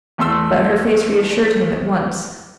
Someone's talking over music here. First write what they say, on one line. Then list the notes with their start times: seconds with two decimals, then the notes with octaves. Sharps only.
But her face reassured him at once.
0.18 E2 A3 C6 E6